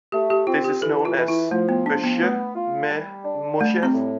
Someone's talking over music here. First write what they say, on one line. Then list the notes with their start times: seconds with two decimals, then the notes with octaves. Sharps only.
This is known as beschuit met muisjes.
0.12 A3 G4
0.30 G4
0.47 C4 F4
0.64 G4
0.81 E3 A4
1.05 F4
1.17 E3
1.28 E4
1.51 F3 A3
1.69 B3
1.86 F3 D4
2.04 B3
2.21 A3 B3
2.56 F4
2.90 G3
3.25 D4
3.60 G3 A3
3.83 C4
3.94 A2